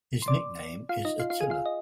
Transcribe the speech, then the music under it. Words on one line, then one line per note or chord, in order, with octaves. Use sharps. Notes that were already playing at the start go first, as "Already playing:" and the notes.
His nickname is "Attila".
C6
D5 D6
F4 F5
D#4 D#5
F4 F5
F4 F5
G#4 G#5
F4 F5
D#5